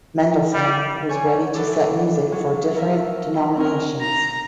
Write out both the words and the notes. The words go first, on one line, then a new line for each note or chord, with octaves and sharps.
Mendelssohn was ready to set music for different denominations.
G3
C#5 G#5
E3 F#3 A4 D6
F#3
A#4 E5
E4
C4 C#4 A#4
A#5